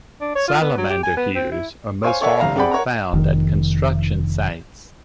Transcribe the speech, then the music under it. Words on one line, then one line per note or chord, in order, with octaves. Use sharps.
Salamander heaters are most often found at construction sites.
D4
C#5
F4
B3
F#3
G4
G#5
B3
C4
E4
C5 C#5 F5 G#5
A4 A#4 C#5 D5 E5 F#5
G1 C2 F5 A#5
C4 G#4 D5 F#5 G5 B5
A#4 C#5 F#5 A#5
F1 D#3